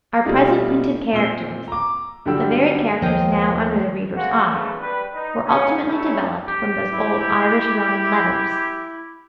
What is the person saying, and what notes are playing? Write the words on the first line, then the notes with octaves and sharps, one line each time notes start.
Our present printed characters--the very characters now under the reader's eye--were ultimately developed from those old Irish-Roman letters.
B2 G3 A3 D#4 F4
A#2 C4 E6 G7
A#5 D6
G2 D3 F#3 G3 G5 E6
D#2 F3 A#4 C5 D#5 G5
G#3 A#3 F#4
G#2 C#3 E3 A3 B3
G3 B4
D#4
A#2 C#3 C#4
F#3 G3 A3 C#4 E4
G4
E4